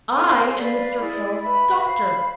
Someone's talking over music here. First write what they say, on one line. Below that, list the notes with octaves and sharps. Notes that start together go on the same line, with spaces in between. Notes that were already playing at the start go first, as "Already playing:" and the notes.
'I am Mr. Hale's daughter.
A4 C5 G#5 C6
B4 D5 F5
E4 G#4 D5
B4 E5 B5
C5 F5 B5